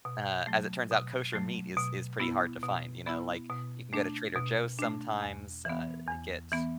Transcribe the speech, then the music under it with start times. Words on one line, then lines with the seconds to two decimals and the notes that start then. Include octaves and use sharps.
uh, as it turns out, kosher meat is is pretty hard to find, you know, like, you can go to Trader Joe's sometimes, uh, get
0.05 B2
0.47 F#3 A3
0.91 B2
1.34 F#3 A3
1.77 B2
2.20 B3 E4
2.63 B2
3.07 B3 E4
3.50 B2
3.93 A3 D4
4.36 B2
4.79 A3 D4
5.22 E2
5.65 E3 B3
6.08 E2
6.52 E3 B3